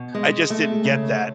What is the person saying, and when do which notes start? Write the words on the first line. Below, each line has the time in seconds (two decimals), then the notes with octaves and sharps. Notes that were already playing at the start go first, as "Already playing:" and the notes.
I just didn't get that,
Already playing: B2
0.15 G#3
0.50 A3
0.85 C#3